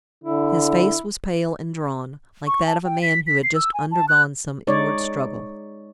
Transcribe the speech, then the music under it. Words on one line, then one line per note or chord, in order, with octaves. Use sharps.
His face was pale and drawn, like that of a man who had just undergone some inward struggle.
D3 E4
C#6
A5
G5
B6
B6
C7
E6
G#5
A5
F#6
G#3 D#4 C#5 D5